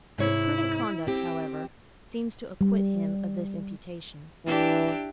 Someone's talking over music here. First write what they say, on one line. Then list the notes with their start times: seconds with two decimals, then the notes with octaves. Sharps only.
His prudent conduct, however, seems to acquit him of this imputation.
0.18 G#2 C3 E4 C#5
1.07 C4 G4
2.61 G3
4.46 E3 D4 E4 G4